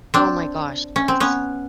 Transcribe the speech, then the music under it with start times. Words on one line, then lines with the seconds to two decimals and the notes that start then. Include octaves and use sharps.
Oh, my gosh, yes.
0.14 C4 D4
0.96 C#4
1.08 C4
1.20 B3 C#4